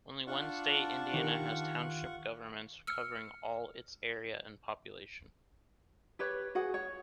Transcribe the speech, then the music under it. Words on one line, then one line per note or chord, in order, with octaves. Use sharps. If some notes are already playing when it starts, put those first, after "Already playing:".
Only one state, Indiana, has township governments covering all its area and population.
D4 F4 F#5 C#6
D#3 G4 A#4
E6 F6 C#7
G4 B4 C#5
F#4 G#4 F#5
C#5